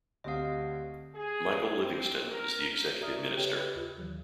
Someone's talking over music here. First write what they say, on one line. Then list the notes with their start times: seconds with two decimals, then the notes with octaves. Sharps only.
Michael Livingston is the Executive Minister.
0.24 D2 C4 G4 D#5 F5 D#6
1.15 G#4
1.81 C4
2.30 A#4
3.00 F#4 D5 E5 A#5 D#6 F6
3.18 C#3
3.36 G4 B4 C#5 E5 G5
3.55 B4 D#5 B5 F#6
3.75 D#2 F4
3.98 D#3 E3 F#3